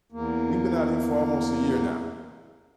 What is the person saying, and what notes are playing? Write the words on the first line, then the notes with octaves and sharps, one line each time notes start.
we've been out here for almost a year now,
E2 A#3